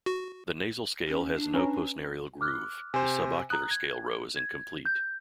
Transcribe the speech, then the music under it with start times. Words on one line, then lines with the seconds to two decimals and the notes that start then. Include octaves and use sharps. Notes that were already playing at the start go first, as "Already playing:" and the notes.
The nasal scale has no postnarial groove; the subocular scale row is incomplete.
0.06 F#4
1.08 C#4
1.36 D4
1.54 C#4 B4 A#5
2.41 D6 F6 F#6
2.94 C3 C5 G#5
3.50 A#5 D#6 F#6
3.71 G#6
4.36 G#6
4.85 G6